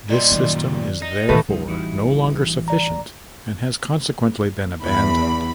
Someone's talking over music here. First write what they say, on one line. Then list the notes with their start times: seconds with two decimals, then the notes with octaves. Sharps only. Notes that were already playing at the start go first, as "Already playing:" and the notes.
This system is therefore no longer sufficient and has consequently been abandoned.
0.10 A#2 G3 D5 D#5 C6
0.31 F#2 D#3
0.74 D5
1.02 D#4 A#6
1.29 A2 D#3 A3 A4 B4
1.49 A1 C#3 F3 G3 D#4
1.68 E3 D#4 E4 F#4
2.14 E3
2.68 D5 A#5
4.82 E2 B5